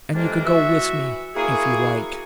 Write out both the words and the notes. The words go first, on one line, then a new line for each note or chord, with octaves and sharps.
And you can go with me, if you like.
F2 C3 E3 G#3 A#3 D4
E3 F#4 E5
A#3 E4 F#4 G#4